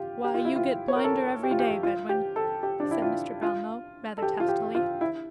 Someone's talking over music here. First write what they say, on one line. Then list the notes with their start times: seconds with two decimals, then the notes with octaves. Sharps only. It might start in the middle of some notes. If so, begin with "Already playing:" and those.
'Why, you get blinder every day, Bedwin,' said Mr. Brownlow, rather testily.
Already playing: F4 G4
0.24 G4
0.34 F4
0.45 E4
0.56 F4
0.88 C#5
0.96 A#4
1.04 A4
1.43 G4
1.51 F4
1.60 G4
1.83 F4
2.09 G4
2.36 A4
2.63 G4
2.80 D4
2.91 E4
3.02 F4
3.42 F4
4.18 A4
4.22 G4
4.40 F4
4.48 G4
4.75 F4
5.01 E4